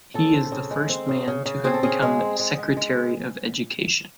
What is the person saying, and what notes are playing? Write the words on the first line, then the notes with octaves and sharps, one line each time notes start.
He is the first man to have become Secretary of Education.
C#3 A4
C4
C#3
G#3
C4
C#3
C#3
C#3
C4 G#4
A4
C#3 G#4
G#3
C4
G#3
G#3
G#3